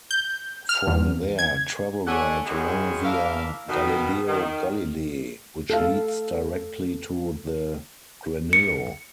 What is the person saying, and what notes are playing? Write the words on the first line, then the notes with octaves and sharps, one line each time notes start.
From there, travel right along via Galileo Galilei which leads directly to the Granillo.
G6
F6
E2
G#6
A4 C#5 D5 E5 F#5 G#5
F#2 D#3 E3 G#3 G#4 C#5
A#3 D4 E4 E5 F5
B2 D#3
D#3
A4 F5
C#7